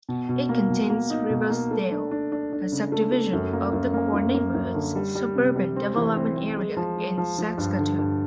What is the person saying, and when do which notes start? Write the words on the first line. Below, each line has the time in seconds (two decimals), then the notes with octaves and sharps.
It contains Riversdale, a subdivision of the Core Neighbourhoods Suburban Development Area in Saskatoon.
0.09 B2
0.29 B2
0.49 A#3
0.70 B2
0.90 A#3
1.10 D#4
1.30 B2
1.50 A#3
1.71 A3
1.91 D4
2.11 D4
2.32 D4
2.52 D4
2.72 C#3
2.92 A3
3.12 A3
3.33 F#2
3.53 A#3
3.73 F#2
3.94 A#3
4.14 F#2
4.34 A#3
4.54 F#2
4.75 D3
4.95 G3
5.15 G3
5.35 C3
5.56 G3
5.76 C4
5.96 E3
6.16 C4
6.37 C4
6.57 G#3
6.77 F3
6.97 G#3
7.18 F3
7.38 F3
7.58 G2
7.79 D3
7.99 G2